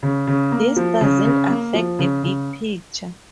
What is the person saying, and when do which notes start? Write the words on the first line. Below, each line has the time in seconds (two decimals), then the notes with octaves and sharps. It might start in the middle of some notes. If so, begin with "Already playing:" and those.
This doesn't affect the big picture.
0.03 C#3
0.27 C#3
0.52 A#3
0.77 F3
1.01 C#3
1.25 C#3
1.50 A#3
1.74 F3
1.99 C#3
2.23 C#3